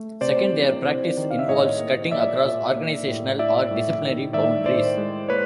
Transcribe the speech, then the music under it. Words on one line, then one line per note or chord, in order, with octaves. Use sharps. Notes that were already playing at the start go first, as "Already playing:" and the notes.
Second, their practice involves cutting across organizational or disciplinary boundaries.
Already playing: A3
C3 C5 D5
E3
C3
D#3
F5
E5
A2 C#5 D#5
A#3
A#2 D5 E5
A#2
A#3
A2
A2 D5 E5
A2
D#3
D#3 D5 E5
A2 C5 D5
G#3
A#3 B4 C#5